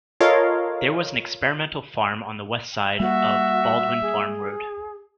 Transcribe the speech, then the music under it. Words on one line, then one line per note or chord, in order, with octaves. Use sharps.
There was an experimental farm on the west side of Baldwin Farm Road.
F4 A4 A#4 C#5 D#5 F5
G3 A#3 F#4 E5
G#4